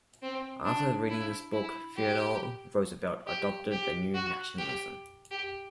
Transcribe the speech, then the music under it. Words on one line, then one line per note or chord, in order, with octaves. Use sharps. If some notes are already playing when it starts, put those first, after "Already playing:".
After reading this book, Theodore Roosevelt adopted the New Nationalism.
C4
D4
E4
E4
G4
G4
G4
F#4
G4
G4